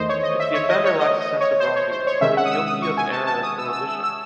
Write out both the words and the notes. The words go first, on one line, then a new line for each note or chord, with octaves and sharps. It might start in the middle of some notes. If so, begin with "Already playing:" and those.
If the offender lacks a sense of wrongdoing, he is guilty of an error of prohibition.
Already playing: E2 D#3 A3 C5 D#5
C#5
D#5
E5
C#5
D#5
C#5
D#5
D#5
C#5
C5
C#5
C5
C#5
C3 D#3 G#3 C#4 E5
F#5
D#6
E6
D#6
C#6
G#5
A5
A5
D#6
E6
E6
E6
E6